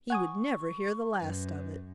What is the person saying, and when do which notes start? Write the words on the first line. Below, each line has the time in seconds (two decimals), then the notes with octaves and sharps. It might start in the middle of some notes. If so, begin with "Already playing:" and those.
He would never hear the last of it.
0.10 F#5 G#5 C#6 D#6
1.19 F#2 B4